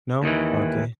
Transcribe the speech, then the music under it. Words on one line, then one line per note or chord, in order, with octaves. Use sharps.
No? Okay.
D#2 D#3 E3